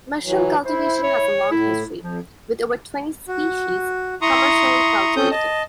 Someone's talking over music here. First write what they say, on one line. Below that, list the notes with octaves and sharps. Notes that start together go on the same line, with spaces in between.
Mushroom cultivation has a long history, with over twenty species commercially cultivated.
E3 F#3
E4 C5
C#5
A2 E4
F2 F3
F#4
E4 A#5 C6 C#6 D#6
C4 C#4 A4 D#6 G6
D#5 A5